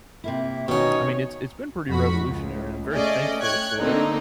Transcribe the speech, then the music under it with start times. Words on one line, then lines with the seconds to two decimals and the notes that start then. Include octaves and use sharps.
I mean, it's it's been pretty revolutionary. I'm very thankful for it,
0.24 C3 A#3 E4
0.68 B2 D#3 C#4 D#4 C#5
1.88 F2 F#4 B5
2.23 C#2
2.90 A3 C#4 G#4 D5 D#5
3.39 C#5 G5 F#6 G#6
3.78 D3 A3 A#3 C4 D4 D#4